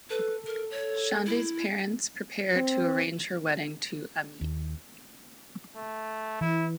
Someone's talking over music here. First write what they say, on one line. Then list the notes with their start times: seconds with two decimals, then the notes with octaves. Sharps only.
Chandni's parents prepare to arrange her wedding to Amit.
0.10 A4 B4
0.46 A#4
0.71 C#5
1.26 E4
2.55 C4
4.41 D#2
5.76 A3
6.41 E3 E4